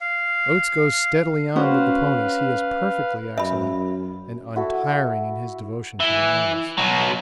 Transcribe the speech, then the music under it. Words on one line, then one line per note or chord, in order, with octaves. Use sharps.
Oates goes steadily on with the ponies--he is perfectly excellent and untiring in his devotion to the animals.
F5
C#4 F#4 B4 C5 F5
F#2 E5 B5
E4 F#4 A4 E5
E3
B2 F#3